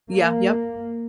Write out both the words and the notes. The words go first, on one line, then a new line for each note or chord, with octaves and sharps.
Yeah, yep.
A#3